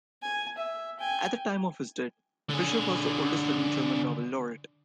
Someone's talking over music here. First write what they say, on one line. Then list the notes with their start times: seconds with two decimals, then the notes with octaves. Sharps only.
At the time of his death, Fischer was the oldest living German Nobel laureate.
0.23 G#5
0.58 E5
1.00 G5 G#5
2.49 D3 G#4